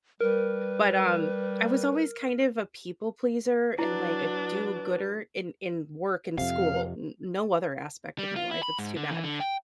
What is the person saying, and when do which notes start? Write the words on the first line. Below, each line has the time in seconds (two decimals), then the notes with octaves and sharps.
But, um, I was always kind of a people pleaser, and, like, a do-gooder in in work and school. N no other aspect of my life, it's too bad.
0.21 G3 A#4 B4
3.79 F#3 D4 E4 B4
6.38 F2 C3 F5
8.19 G3
8.36 F4
8.51 E4
8.63 B5
8.79 G#2
8.97 D3
9.11 E3
9.24 D3
9.40 G5